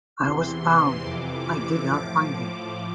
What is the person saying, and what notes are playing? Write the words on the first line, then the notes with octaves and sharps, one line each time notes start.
I was found; I did not find him.
E2 C3 E3 C6
F2 C3 E3 D6
A2 F3